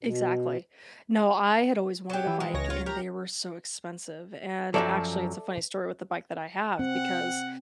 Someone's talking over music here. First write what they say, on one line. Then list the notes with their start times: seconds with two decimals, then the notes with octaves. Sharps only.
Exactly. No, I had always wanted a bike and they were so expensive. And, actually, it's a funny story with the bike that I have, because
0.03 B2
2.10 F#3 G4
2.27 E3
2.40 G#3
2.54 C#2 C#5 A#6
2.70 F4
2.86 G4 A#4 A#5
4.74 F#2 F3 F#3 A4 D5 E5
6.79 C4 F#5